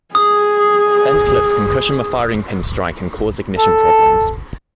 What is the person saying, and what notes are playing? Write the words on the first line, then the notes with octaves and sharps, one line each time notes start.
Bent clips can cushion the firing pin strike and cause ignition problems.
G#4 D#6
A4